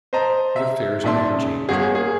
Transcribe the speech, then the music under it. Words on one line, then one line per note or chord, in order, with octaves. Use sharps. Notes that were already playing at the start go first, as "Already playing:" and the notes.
But affairs are now changed.
C5 D#5 A5 A#5
E5
G#1 A#2 D5 E5 A5 C6
C#3
G1 F#4 G#4
A#3 G#4